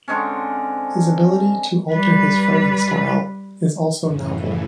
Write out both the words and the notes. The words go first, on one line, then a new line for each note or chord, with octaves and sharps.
His ability to alter his fighting style is also novel.
D3 G#3 C4 C#4
G3 B4
F#2 A2 C#3 E3